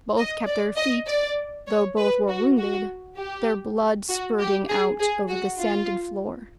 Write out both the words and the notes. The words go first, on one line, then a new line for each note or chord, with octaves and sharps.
Both kept their feet, though both were wounded--their blood spurting out over the sanded floor.
D#5
D5
D#5
D5
C#5
B4
F#4
F#4
G4
F#4
G4
G#4
G#4
F#4
F4